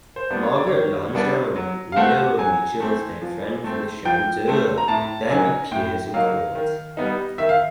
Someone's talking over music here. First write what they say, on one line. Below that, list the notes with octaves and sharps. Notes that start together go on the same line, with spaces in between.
Margaret Lansdowne, widow of Mitchell's dead friend from the "Shenandoah", then appears in court.
C5
G3 B3 D4
C#5
D5
C#5
D#3
G3 B3 D4
F#3
F5
A3 C4 F#5
F#3 G#5
A3 C4
F3
A3 C4
F3 G5
A3 C4
A#5
A2 A5
F#3 A#3 D#4 G#5
A2 G5
F#3 A#3 D#4 F5
D#3
G3 B3 D#4
D#3 E5
F5